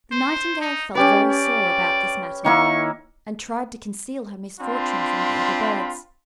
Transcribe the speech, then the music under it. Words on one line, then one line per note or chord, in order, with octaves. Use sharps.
The Nightingale felt very sore about this matter, and tried to conceal her misfortune from the other birds.
C5
D#4
C#4 G4 B4 D5
D5
D#3 A#3 E4 C#6
C4 D4 F4 B5